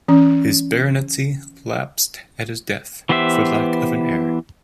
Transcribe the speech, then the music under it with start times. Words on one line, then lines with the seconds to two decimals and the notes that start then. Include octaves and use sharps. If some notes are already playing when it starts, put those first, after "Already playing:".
His baronetcy lapsed at his death for lack of an heir.
0.08 E3 C#4
3.09 E3 B3 G4 C5 E5